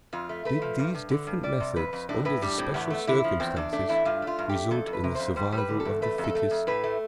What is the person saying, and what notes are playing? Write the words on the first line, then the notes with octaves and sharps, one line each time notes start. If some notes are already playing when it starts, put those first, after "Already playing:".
Did these different methods under the special circumstances result in the survival of the fittest?
F2 F4
A3
A3 B4
F3
G2
G2
D3
G2
G3 D5
C3
F2 B4
F2
A2 D4
A2 B4
G3 D4
A2 C4
E2 B3
A3
D3 E4
F3
E2 C4
E2 D4
A3 D4
E2 E4
G2 F4
A3
F4
G2
G4
A3
F2 A4
F2
B4
C3
F2 C5
G3 C5
G3
B4
D3
A4
E2
A3 B4
F2
A4
A3
F2
A2 B4
A3